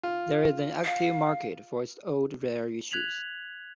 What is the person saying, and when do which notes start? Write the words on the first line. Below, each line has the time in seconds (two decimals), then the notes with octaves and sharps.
There is an active market for its old, rare issues.
0.03 F4
0.84 F5
2.91 F#6 G#6 B6 F7 F#7